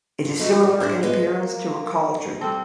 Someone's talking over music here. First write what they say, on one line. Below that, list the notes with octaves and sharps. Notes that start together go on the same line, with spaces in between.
It is similar in appearance to a cauldron.
F4
F3 G#3 A3 D#4 F#4
A#2
D4 E4 G#4 C5
G#3 B3 F4
A#3
G3 C4 A4